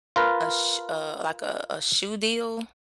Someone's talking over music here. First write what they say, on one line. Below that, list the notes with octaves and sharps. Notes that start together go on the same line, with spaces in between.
a sh uh, like, a a shoe deal,
F4 A#4 B4